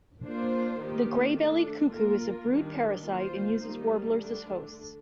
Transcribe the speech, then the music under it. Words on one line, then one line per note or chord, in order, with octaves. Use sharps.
The grey-bellied cuckoo is a brood parasite and uses warblers as hosts.
A#3 D4 F4 C5
D#3 A#3 D#4 G4
A3 D4 A4
A#3 F4 A#4
D#3 G3 D4
A#3 F4 C5
D#3 G3 A#3 D#4
D3 A3 D4